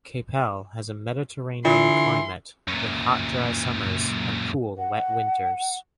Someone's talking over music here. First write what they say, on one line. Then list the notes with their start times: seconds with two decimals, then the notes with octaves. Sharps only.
Capel has a Mediterranean climate, with hot dry summers and cool wet winters.
1.65 D3 E3 F4 C6
2.68 F#2 A#2
4.78 F#5